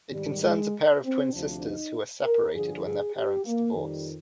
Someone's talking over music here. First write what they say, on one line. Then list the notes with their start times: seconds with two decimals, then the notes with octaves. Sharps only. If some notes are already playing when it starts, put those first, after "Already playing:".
It concerns a pair of twin sisters who are separated, when their parents divorce.
0.11 G#2 D#3 G3
0.43 G#3
1.03 C4
1.32 D2 C3 F3 D4
1.63 D#4
2.24 A#4
2.54 G2 D3 F3 G#4
2.84 G#4
3.15 G4
3.45 A#3
3.74 F2 D#3 G3